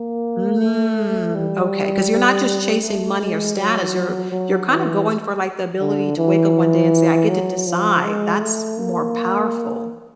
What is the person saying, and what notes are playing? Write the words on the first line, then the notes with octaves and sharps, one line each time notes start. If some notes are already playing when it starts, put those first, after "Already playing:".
Mm, okay, 'cause you're not just chasing money or status, you're you're kinda going for, the ability to wake up one day and say, "I get to decide." That's more powerful.
Already playing: A#3
A3
G3
A3
G#3
F#3
F#3
E3
D3
E3
F#3
F3
G#3
A3
A#3